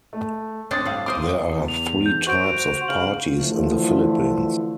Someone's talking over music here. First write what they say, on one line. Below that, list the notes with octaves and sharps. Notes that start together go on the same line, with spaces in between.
There are three types of parties in the Philippines.
A3
C4 D4 A4 C#5 D#6 A6
A2 G3 F5
A#4 C5 D#5 D6 D#6
E2
F7
G6
F#4 C5 C#6 G6 D7
C#3 F5 F#7
D3 E3 F3 A3 E4 F4